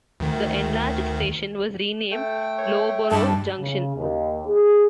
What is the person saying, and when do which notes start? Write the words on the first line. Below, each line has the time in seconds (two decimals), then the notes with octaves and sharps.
The enlarged station was renamed Loughborough Junction.
0.20 D2 D#3
2.11 A3 A4 G5
2.58 C#5
3.11 G2 E4 A5
3.58 C#3
3.95 D#2
4.47 G#4